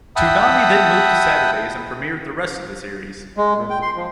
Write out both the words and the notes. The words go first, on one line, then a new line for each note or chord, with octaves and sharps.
Toonami then moved to Saturdays and premiered the rest of the series.
E5 F#5 G5 A5 B5 D#6
G#3
A#2
G5
C6
F3